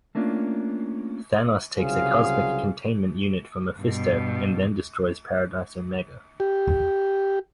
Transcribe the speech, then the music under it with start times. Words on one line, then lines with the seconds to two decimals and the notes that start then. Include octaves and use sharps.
Thanos takes a cosmic containment unit for Mephisto and then destroys Paradise Omega.
0.15 A3 A#3 C#4 D4 F4
1.78 C2 C#3 F#3 F4 G#4 F5
3.80 G2 B2
6.40 G4